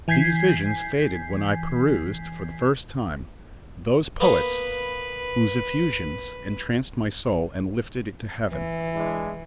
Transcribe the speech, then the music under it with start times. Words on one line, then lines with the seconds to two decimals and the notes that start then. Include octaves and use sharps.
These visions faded when I perused, for the first time, those poets whose effusions entranced my soul and lifted it to heaven.
0.08 E3 G#5 G6 G#6 B6 C7
4.20 A#3 B3 B4
8.49 E3
8.94 G#3 D4 E4